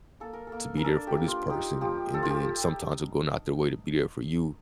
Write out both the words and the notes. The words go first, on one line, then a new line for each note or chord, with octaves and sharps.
to be there for this person, and then sometimes they're going out their way to be there for you,
A#3 A4
A#4
A4
A#3
A#4
D4 A4
G4
A#3
F4
D#4 G4
F3 G4
F3 A4
F4
G4